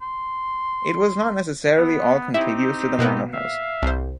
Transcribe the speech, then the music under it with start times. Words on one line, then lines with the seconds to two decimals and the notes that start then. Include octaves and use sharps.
It was not necessarily all contiguous to the manor house.
0.02 C6
1.77 B3
2.34 C4 D#4 E4 G4
2.99 B2 A#3 B3
3.33 E5 F5
3.82 C2 C5